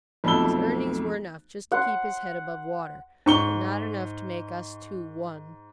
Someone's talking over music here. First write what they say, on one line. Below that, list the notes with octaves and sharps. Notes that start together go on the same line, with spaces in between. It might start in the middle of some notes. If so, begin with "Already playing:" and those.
His earnings were enough just to keep his head above water, but not enough to make us two one.
B1 F2 A3 B5 E6 G7
F#5 C6
G#2 C#6 G7